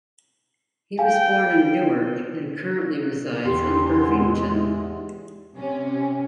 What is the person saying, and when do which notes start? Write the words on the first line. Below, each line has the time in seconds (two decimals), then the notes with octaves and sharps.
He was born in Newark, and currently resides in Irvington.
0.99 F5 G5 G#5
3.45 E2 G4 C6
4.04 G#3
5.56 C3 C#4